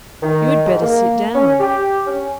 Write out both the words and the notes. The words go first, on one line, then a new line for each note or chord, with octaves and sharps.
"You had better sit down."
D#3
G#2
A#3
C#4
G4
C#4